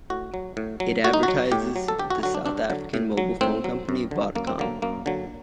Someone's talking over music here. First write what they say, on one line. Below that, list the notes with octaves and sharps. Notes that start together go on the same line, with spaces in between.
It advertises the South African mobile phone company Vodacom.
A2 F#4
F#3
A2
F#3
A2 F#4
D#4
F#4
F#3
A2 G4
F#3
A4
G2 G4
F#4
D3 F#3 F#4
D4
G2 D4
D3 F#3
A2
F#3
A2 C4
F#3
F#2
D3 F#3
F#2 A#3
C4
D3 F#3 A#3
F#2 A#3
D3 F#3